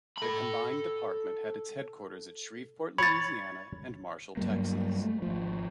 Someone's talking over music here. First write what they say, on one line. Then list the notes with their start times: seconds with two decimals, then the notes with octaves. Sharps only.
The combined department had its headquarters at Shreveport, Louisiana, and Marshall, Texas.
0.18 A4 B5
2.98 C#5 B5 A6
4.37 G2 F#3 G3 A#3
5.02 A3
5.22 G#1 F3